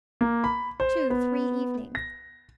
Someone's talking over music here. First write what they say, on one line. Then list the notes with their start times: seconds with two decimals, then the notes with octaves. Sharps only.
'Two--three evenings.
0.21 A#3
0.44 B5
0.80 C5
1.10 B3
1.95 A#6